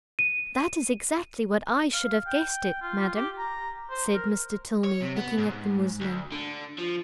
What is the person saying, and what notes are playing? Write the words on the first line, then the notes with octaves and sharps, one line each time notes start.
"That is exactly what I should have guessed it, madam," said Mr. Tilney, looking at the muslin.
D#7
F5
G5
F4
G4
A#5
C5
A#4
C#5
C3
B3
G#2
D2
D3
F3